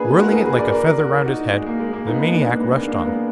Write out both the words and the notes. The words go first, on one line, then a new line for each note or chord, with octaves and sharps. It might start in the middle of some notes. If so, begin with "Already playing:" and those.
Whirling it like a feather round his head, the maniac rushed on.
Already playing: A#3 D4 G#4 B4
F#4 A#4
G#4 B4
G#4 B4
A#4 D5
A#4 D5
F#4 A#4
D#4 F#4
G#3
A#3
G#3
A#3
B3 D#4
B3 D#4
A#3 D4
A#3
G#3 B3
A#3 D4
A#3 D4
G#3 B3